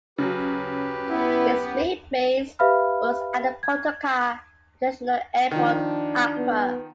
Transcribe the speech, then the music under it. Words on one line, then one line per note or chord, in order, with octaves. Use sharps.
Its main base was at Kotoka International Airport, Accra.
C#3 F#3 G4 B4
B3 E4
G4 B4 E5 F5 B5 F6
G#6
D#3 F3 D4
B3